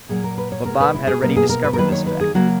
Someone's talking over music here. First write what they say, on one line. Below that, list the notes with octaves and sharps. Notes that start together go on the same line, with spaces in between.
But Bob had already discovered this fact.
A#2 F#3 A#3 G#4
A#4
B4
C#5
B2 G#3 A#4
B4
E4
G#4
B2 F#3 A#3 A#4
G#4
A#4
B4
A#4
D#3 F#3 A#3 B4
C#5
B4
G#4
C#3 F#3 A#3 F#4